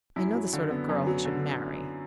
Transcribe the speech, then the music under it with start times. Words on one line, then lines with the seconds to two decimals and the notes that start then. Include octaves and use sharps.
I know the sort of girl he should marry.
0.16 F#2 E4
0.35 F#3
0.53 D3
0.71 B3
0.89 F#2
1.07 F#3
1.25 D3